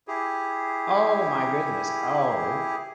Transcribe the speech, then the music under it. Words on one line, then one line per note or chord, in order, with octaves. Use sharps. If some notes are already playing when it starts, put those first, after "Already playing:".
Oh my goodness. Oh.
E4 G4 G#4